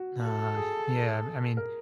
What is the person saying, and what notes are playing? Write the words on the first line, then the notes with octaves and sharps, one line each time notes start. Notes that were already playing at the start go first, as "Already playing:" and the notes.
Nah, yeah, b I mean,
Already playing: F#4
A4
G#4
A#4